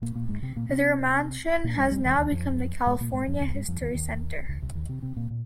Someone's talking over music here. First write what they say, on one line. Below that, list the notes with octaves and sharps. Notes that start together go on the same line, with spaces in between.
Their mansion has now become the California History Center.
A#2 A#3
A#2 A#3
G#2 G#3
C3 C4
A#2 A#3
C3 C4
A#2 A#3
G2 G3
G2 G3
D#2 D#3
D#2 D#3
F2 F3
G#2 G#3
A#2 A#3
G#2 G#3
F2 F3
C#2 C#3
G2 G3
F2 F3
D#2 D#3
D#2 D#3
C#2 C#3
C2 C3
D#2 D#3
C3 C4
C3 C4
A#2 A#3
A#2